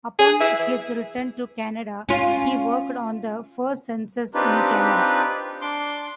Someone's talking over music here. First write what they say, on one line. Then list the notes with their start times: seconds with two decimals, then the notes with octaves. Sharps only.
Upon his return to Canada he worked on the first census in Canada.
0.19 G#4
0.40 E4
0.59 E3
2.09 C#4 F4
4.34 C4 D4 D#4 F4 G4 B4
5.61 D4 C6 D6